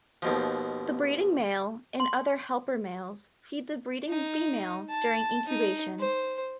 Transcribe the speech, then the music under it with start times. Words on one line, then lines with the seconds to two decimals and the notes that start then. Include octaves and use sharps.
The breeding male and other helper males feed the breeding female during incubation.
0.22 D#2 B2 F3
2.00 C6
4.09 D#4
4.89 A5
5.48 D#4
5.99 C5